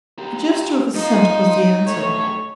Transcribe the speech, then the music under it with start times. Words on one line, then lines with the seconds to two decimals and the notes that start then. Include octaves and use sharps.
A gesture of assent was the answer.
0.19 G4 A#4
0.95 F3 D#4 D#5
1.86 B1 A3 C#5